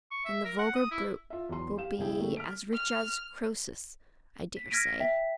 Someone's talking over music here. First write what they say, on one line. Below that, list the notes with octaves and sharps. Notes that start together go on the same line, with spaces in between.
And the vulgar brute will be as rich as Croesus, I dare say.'
C#6
E5
A#4
F#5
D#6
E4
F4 E5
E2 F#3 C6
G4 F5 E7
B1 C#3 E4 G#4 G5
B2 D3 A3 A#3
F6 B6 D7
F6
B6
F6 G#6 A#6 B6 D7 D#7
E5 G5 B6